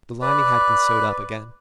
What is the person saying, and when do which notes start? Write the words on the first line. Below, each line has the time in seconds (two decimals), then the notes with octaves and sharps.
The lining had been sewed up again.
0.22 B4 D5